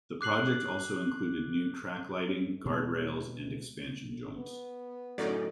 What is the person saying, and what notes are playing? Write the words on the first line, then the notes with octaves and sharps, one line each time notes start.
The project also included new track lighting, guardrails, and expansion joints.
D6 F#6 C7 F#7
B2 G#3
B3
F#2 A2 D3 C#4 D#4 D5